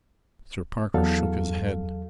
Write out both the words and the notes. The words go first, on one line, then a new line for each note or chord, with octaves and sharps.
Mr. Parker shook his head.
E2 F#3 A4 F5